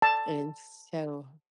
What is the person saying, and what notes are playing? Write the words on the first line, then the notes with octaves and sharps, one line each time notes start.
and so
A5